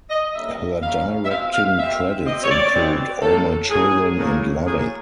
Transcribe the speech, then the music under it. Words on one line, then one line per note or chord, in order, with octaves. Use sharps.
Her directing credits include "All My Children" and "Loving".
D#5
D3 G3 A#3 C#4 E5
D3 G3 A#3 C#4 F5
E5
B2 G#3 C4 F5
F5
B2 G#3 C4 E5
B2 G#3 C4 D#5
C#5
D5
B2 G#3 C4
A2 F#3 A#3 A4
A2 F#3 A#3 G#4
A2 F#3 A#3
A2 F#3 A#3 G#4